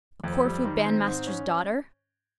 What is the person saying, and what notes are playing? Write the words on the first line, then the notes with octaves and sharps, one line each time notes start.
A Corfu bandmaster's daughter!
F2
G3
D#3
C4
G#2
C#4